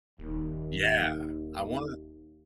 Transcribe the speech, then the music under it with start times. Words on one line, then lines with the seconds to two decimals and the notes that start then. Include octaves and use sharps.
Yeah! I wanna
0.19 D#1 D#2